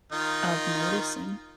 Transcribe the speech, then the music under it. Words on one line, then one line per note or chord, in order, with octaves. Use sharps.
of noticing
D#3 D#4 F4